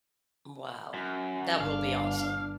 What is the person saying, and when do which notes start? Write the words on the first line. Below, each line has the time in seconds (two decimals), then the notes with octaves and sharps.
Wow. That will be awesome.
0.94 F#2
1.60 G1 D4 F5